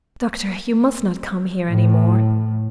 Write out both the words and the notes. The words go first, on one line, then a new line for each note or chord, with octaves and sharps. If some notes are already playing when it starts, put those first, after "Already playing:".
Doctor, you must not come here any more.
A2